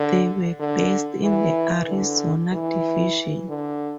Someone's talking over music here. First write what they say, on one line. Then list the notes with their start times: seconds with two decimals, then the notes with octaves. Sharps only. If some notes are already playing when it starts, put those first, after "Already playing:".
They were based in the Arizona Division.
Already playing: D3
0.60 D3
1.24 E3
1.88 D3
2.53 E3
3.49 D3